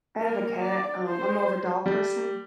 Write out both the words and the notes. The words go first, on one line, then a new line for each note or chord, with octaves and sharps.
I have a cat, um, I’m more of a dog person,
A#3 A#4
D5
C5
G3